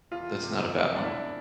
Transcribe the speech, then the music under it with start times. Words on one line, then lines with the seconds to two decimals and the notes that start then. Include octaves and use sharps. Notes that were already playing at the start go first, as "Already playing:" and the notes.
That's not a bad one.
0.11 E2 F4
0.42 C3
0.72 E2
0.95 D4
1.02 E2 E4